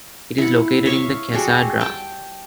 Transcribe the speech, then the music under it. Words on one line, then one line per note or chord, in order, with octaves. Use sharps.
It is located in the Casa Dra.
E4 F#5
C#5 E5 F5 C#6
G3 F#4 G#4 A4
G5 A5